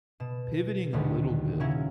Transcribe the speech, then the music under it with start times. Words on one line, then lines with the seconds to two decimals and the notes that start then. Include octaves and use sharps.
pivoting a little bit,
0.20 B2 E7
0.93 A#1 D#2 D3 G3
1.60 C#3 F#3 C#4 E4 G#4